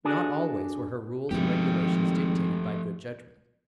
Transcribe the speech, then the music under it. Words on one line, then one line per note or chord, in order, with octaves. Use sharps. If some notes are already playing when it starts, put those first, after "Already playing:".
Not always were her rules and regulations dictated by good judgment.
D4 F#4 G#4 A4 D5
G#1 G2 F3 A3 G4